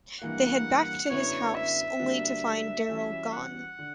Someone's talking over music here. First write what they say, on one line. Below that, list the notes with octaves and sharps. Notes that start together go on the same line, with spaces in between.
They head back to his house, only to find Daryl gone.
G2 E3 A#3 F#5
F#2 D3 F#3 B3 E4 C#5
E5
D3 G3 A#3 D4 F#4
E3 G3 C#4 F#4
F#5
D3